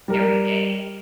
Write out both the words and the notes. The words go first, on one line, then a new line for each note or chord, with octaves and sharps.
every day,
G3 A#4